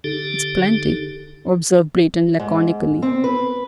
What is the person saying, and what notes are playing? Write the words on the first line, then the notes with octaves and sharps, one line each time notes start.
"It's plenty," observed Breton laconically.
D3 D#4 G4 A4
G#2
C4
B4